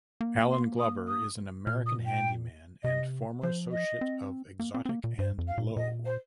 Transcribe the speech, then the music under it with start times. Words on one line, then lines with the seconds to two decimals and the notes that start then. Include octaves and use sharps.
Allen Glover is an American handyman and former associate of Exotic and Lowe.
0.21 A#3
0.50 C6
0.80 D#6
1.08 D#6
1.66 A#2 F6
1.86 D#6
2.06 G5
2.83 C3 D#5
3.42 F3 C5
3.71 D#5
4.01 C4
4.60 A#3
4.74 C4
4.85 C4
4.89 A#3
5.04 A#2
5.19 G2 C5
5.38 F2
5.48 F5
5.58 A#2
5.76 A#2 D#5
6.06 C5